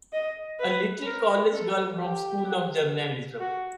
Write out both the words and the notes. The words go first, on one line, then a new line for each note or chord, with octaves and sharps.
A little college girl from a School of Journalism!
D#5
B4
A#4
A4
G4
F#4